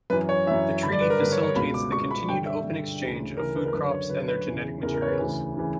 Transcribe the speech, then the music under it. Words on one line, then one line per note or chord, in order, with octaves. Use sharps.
The Treaty facilitates the continued open exchange of food crops and their genetic materials.
F#2 E3 B4
C#5
F#2 E3 E5
D3 B5
G2 D5
B4
A#4
G2 D3 B4
C#5
C#5
C#2 B2 B5
D6
C#2 B2 C#6
B5
G2 D3 G5
E5
G2 D3
D2 C#3 E3
D2 C#3 E3 A#4
B4
A#4
F#2 D3 B4
C#5
F#2 D3 B4
B4
E2 C#3 E3
E2 C#3 E3 A#4
A#4
C#5
B4
D2 C#3 E3
C#3 E3